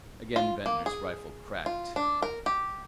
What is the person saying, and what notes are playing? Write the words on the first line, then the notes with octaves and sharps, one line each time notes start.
Again Ventnor's rifle cracked.
F4
A#3
G#4
F4
D4
A#4
G4